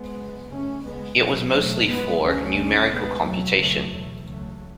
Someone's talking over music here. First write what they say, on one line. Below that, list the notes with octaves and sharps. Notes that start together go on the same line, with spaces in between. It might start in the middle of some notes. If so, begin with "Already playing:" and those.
It was mostly for numerical computation.
Already playing: G#3 B3
F#2 C#3
F#2 C#3 A3 C#4
C#2 C#3 G#3 B3
E2 B2 F#3 A3
E2 B2 F#3 A3
F#2 C#3 G#3 B3
D2 C#3 A3 C#4
D2 C#3
C#2 B2 G#3 B3
E2 B2 F#3 A3
F#2 C#3 F#3 A3
E2 B2 F#3 A3
C#2 C#3 F#3 A3